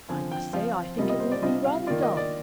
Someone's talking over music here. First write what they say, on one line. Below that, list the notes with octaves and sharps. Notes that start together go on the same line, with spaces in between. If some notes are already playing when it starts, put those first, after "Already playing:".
"I must say, I think it will be rather dull."
D3 F3 C4 F4 G#5
G5
F3 C4 F4 F5
C3 G3 A#3 F4 D#5
D#5
C5
D5
C3 G3 D4 F4 D#5
F5
D#3 A#3 F4 D5
D#5
D5